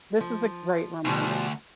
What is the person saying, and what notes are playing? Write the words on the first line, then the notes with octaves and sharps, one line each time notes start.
This is a great reminder.
F3
D2 B2 F3 G3